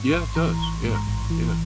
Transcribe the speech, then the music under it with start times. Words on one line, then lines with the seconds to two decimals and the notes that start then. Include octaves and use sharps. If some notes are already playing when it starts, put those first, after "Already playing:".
Yeah, it does, yeah, yeah,
Already playing: G#2 C#6
0.12 A1 C6
0.35 E3 A#5
0.59 A1
0.83 G#2
0.94 A#5
1.07 A1
1.30 E3